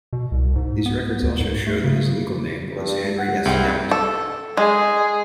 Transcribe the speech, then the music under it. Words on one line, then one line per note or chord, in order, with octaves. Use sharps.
These records also show that his legal name was Henry S. Yount.
B2
C2
G#2
B3
D2
G#2
A3
C#3
G2
F#5
C2 G#2 E4 G5
A4
G#3 G#4